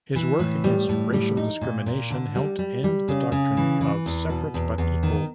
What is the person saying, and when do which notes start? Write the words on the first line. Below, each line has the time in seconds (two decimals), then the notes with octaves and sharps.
His work against racial discrimination helped end the doctrine of separate but equal.
0.15 E3
0.39 A2
0.64 G3
0.89 A2
1.13 G3
1.37 D#4
1.61 A#2
1.86 A#2
2.10 D3
2.35 G3
2.59 G3
2.84 G3
3.08 C#3
3.32 C#3
3.57 E3
3.81 E3
4.06 E2
4.30 B2
4.54 E2
4.78 E2
5.03 D#3